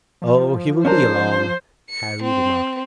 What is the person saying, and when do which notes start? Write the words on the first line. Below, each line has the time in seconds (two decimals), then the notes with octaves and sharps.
"Oh, he will be along," Harry remarked.
0.22 F3
0.85 C#4 D4 A#4 C5
1.90 C#7
2.22 C4